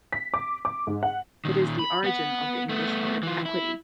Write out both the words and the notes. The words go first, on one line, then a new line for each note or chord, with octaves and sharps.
It is the origin of the English word "equity".
B6
D6
D6
G#2
F#5
A#2 D#3
B5
B3 F#5
A3 B3
E3 F4
E4